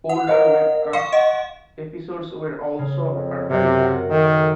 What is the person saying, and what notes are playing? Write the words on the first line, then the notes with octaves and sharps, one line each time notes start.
Older webcast episodes were also archived.
F#5
A#4 C#5 D#5 F5
F5 C6 C#6
D#5 F#5
C#3
F2
F#2 C3
A#4 F#5
D#3 A3